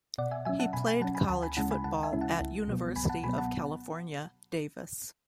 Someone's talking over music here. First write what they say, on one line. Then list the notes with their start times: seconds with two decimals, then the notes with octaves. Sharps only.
He played college football at University of California, Davis.
0.18 B2 D5 F#5
0.31 E5 G#5
0.45 F#3 C#4 E5 G#5
0.59 F#5 A5
0.73 B2 G#5 B5
0.87 G#5 B5
1.01 F#3 C#4 F#5 A5
1.15 G#5 B5
1.29 D2 F#5 A5
1.42 G#5 B5
1.57 C#3 G#3 C#4 E4 F#5 A5
1.71 G#5 B5
1.84 D2 F#5 A5
2.03 E5 G#5
2.13 C#3 G#3 C#4 E4
2.21 F#5 A5
2.40 C#2
2.68 B2 F#3 B3
2.96 C#2 G#5 B5
3.09 F#5 A5
3.24 B2 G#5 B5
3.26 F#3 B3
3.38 F#5 A5